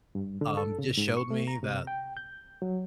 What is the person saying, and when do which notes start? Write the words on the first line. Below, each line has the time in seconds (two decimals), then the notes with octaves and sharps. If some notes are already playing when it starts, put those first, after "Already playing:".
Um, just showed me that,
0.15 G2
0.41 D3
0.57 A4
0.79 C#3
0.97 G#2
1.17 C#6
1.31 A3
1.47 A#5
1.63 C3
1.87 G5
2.17 G6
2.62 F#3